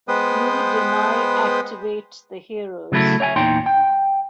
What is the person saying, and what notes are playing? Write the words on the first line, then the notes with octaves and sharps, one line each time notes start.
You deny activate the heroes.
G#3 B3 B4 C5 G5 D#6
C#3 F#3 A3 E4 A4
C#5 E5 G5 G#5
E2 A#2 D#4 G5 C6
G5